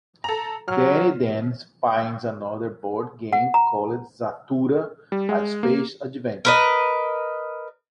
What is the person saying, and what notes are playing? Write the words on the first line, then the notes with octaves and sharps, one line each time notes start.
Danny then finds another board game called "Zathura: A Space Adventure".
A4 A#5
F#3 F6
F#5
A#5
G3
G#3
A#3
A#4 B4 D#5